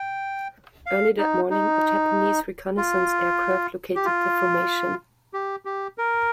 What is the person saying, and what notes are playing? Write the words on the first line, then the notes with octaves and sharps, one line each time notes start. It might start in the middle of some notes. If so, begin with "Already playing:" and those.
Early that morning, a Japanese reconnaissance aircraft located the formation.
Already playing: G5
F5
D#4
D#4
F4
G4
F4
G4
G4
A#4